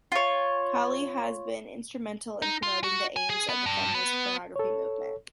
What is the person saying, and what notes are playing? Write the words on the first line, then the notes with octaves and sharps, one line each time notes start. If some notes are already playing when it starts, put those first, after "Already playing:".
Kali has been instrumental in promoting the aims of the feminist pornography movement.
F4 C#5
D#4
F4
F#4
G#5
G#4
B3
G2
B3
A4 C#5